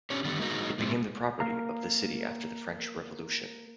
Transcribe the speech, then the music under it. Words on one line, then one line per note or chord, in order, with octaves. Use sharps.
It became the property of the city after the French Revolution.
C#4 D4 G4 C#5
D3 D#3 G3 A3 B3
G#3 A#3 D#4 F#4 G#4
A2 C3 G#3
A#3 A#4 F5 A#5